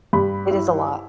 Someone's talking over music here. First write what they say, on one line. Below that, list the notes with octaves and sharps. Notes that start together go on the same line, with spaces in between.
It is a lot.
G2 B5
E4